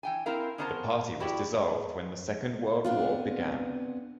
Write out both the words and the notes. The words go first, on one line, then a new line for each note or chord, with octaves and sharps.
The party was dissolved when the Second World War began.
E3 G5 G#5
C4 E4 A#4 F5
B3 C#4 D4 A#4 C5 A5
E4 F#4 G4 D5
B3 C4 D4 F4